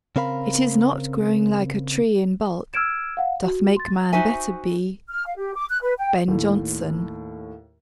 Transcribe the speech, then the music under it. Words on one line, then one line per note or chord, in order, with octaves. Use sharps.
It is not growing like a tree In bulk, doth make man better be. BEN JONSON.
C#3 C4 A#4 F5 B5
E6 F6 G#6 D7 E7
F5 F#5
F#4
C6 A6
D#4 F#4 C5 E5 G#5
F6
F5
G4
D6
F#6
B4
G5
D#2 A2